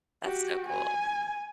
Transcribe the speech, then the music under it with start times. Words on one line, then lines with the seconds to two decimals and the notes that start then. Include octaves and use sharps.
That's so cool.
0.23 F#4 G4
0.69 G#5